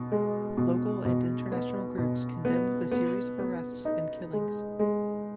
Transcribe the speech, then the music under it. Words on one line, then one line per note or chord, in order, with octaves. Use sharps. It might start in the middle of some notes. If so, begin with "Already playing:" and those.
Local and international groups condemned the series of arrests and killings.
Already playing: B2
G#3
B2
B2
B3
B2
B3
B3
B3
D#4
G#3
G#3